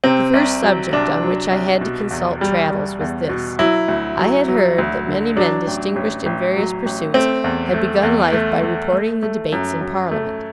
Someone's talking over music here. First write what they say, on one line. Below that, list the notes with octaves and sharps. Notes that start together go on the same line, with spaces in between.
The first subject on which I had to consult Traddles was this,--I had heard that many men distinguished in various pursuits had begun life by reporting the debates in Parliament.
C3 C4
C2
F#3
C2 D4
F#3
C2
B2
E2
G3
G3
E2
B2
F#3 E4
D2
F#3
F#3
D2
D3
F#3 D4
A1
A1
A1
F#3
A1
A3 C4
E2
A3
E2
A3
A3
A3
A3
F#2
F#2
A3